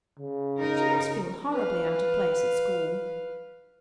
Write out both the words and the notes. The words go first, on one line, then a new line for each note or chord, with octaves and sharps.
She must feel horribly out of place at school.
C#3
D#4 A#4
B4 F5